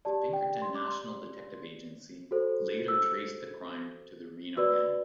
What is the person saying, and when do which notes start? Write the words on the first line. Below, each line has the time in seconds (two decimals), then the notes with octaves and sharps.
The Pinkerton National Detective Agency later traced the crime to the Reno Gang.
0.05 G4 D5 A5
0.33 G5
0.62 C6
0.75 D6
0.88 C6
2.31 F#4 A4 C5
2.88 E6
4.57 F#4 B4 D5 E6